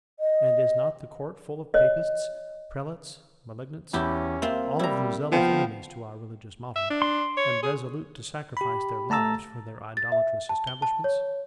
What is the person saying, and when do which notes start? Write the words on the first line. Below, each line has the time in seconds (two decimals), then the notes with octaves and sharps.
And is not the court full of Papists, prelates, malignants; all of them zealous enemies to our religious model, and resolute to sacrifice their lives for their idolatrous establishments?
0.20 D#5
1.74 C#5 D#5
3.93 E2 C#4 E4 G4
4.42 A#3 C4 F4 E5
4.79 G3 E4 A#5
5.32 F3 B3 F5 G5
6.76 E5
6.90 D4
7.02 C6
7.37 C#5
7.63 G#4
8.57 G4 B5
9.10 A3 A5 A#5 E6 A6
9.97 A6
10.12 E5
10.49 A5
10.67 G7
10.82 A5
11.04 C#5